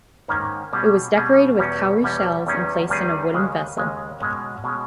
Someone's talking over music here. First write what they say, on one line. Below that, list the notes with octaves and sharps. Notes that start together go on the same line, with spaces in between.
It was decorated with cowry shells and placed in a wooden vessel.
G#2 D#3 A#3 C#4
B2 G3 C#4 G#4
B2 G3 C#4 G#4
E2 B2 G3 C#4
E2 B2 G3 C#4
E2 D#3 G3 C#4 G#4
E2 D#3 G3 C#4 G#4
D#2 C#3 G#3 C#4
D#2 C#3 G#3 C#4
B2 G#3 C#4
B2 G#3 C#4